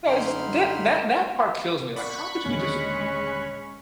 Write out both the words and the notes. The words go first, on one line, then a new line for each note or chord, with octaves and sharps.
No, is that that that part kills me, like, how could you be just
F#2 D3 D#4 B5 C6 F6
D5 F#5 B5 C#6 F#6
D#2 A#2 D3 G#3 C#4